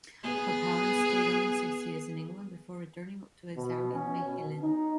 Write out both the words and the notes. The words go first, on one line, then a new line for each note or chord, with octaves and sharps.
Her parents stayed only six years in England before returning to exile in Mechelen.
B3 G#4
B2
C#4
B2
D#4